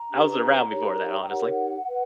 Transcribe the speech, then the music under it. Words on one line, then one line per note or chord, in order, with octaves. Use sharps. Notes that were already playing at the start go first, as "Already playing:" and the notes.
I was around before that, honestly,
Already playing: A#5
D4 G4 B4
D#4 G4 A#4 C#5
G5
D#4 G4 A#4 C#5 F#5
B4